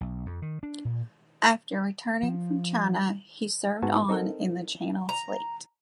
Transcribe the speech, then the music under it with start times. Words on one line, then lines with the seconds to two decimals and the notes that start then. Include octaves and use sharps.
After returning from China, he served on in the Channel Fleet.
0.01 B1
0.26 F2
0.42 D#3
0.63 D4
0.85 A#2
2.23 F3
3.82 G#2 B3 F#4 G#5 A5
4.09 C4 D#4 A4 A#4
5.09 A#5